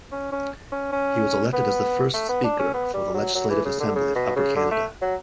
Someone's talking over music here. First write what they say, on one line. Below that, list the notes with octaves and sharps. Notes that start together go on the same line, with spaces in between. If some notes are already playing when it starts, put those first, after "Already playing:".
He was elected as the first speaker for the Legislative Assembly of Upper Canada.
C#4
C#4
C#4
C#4
B3
A3
B3
D4
C#4
B3
G3
F#3
F#3
E3
C#3
D3
C#3
B2
C#3
D3
A3
F#3